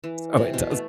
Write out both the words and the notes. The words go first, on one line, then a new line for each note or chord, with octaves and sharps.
so it does.
E3
C3
B2
A3